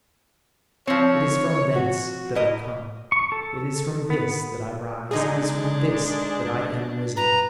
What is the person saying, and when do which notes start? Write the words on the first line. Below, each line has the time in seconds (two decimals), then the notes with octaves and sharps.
It is from thence that I come; it is from this that I rise; it is from this that I am risen.
0.87 F3 C4 C#5
1.76 F#4
2.35 E4 A#4 D#5
3.12 C#6
3.32 A4
4.10 B3
5.11 D3 G#3 D4 D#4 G#4
7.17 B4 A#5